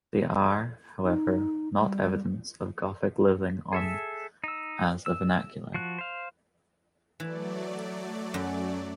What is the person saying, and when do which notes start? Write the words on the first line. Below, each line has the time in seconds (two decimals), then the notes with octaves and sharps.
They are, however, not evidence of Gothic living on as a vernacular.
1.04 D#4
1.78 G3
3.73 G#4 A4 E5
4.44 D#4 E6
5.06 E6
5.74 F3 F#4 F#6
5.98 C5 F5
7.20 E3 F#3 A3 D5
8.34 F#2